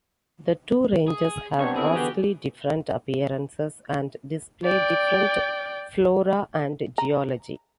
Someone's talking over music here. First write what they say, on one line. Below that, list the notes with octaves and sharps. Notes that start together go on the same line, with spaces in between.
The two ranges have vastly different appearances and display different flora and geology.
G#4
C2 B3 C4 D4 C#5
A#2 E4 G#4
D3 E3 B3 F#4 G4
D5 G5
A#5